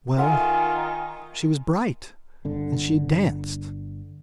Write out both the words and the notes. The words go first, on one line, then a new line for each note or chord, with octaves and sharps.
Well, she was bright; and she danced.
D#3 F4 A4 E5 F#5 G#5
G1 D3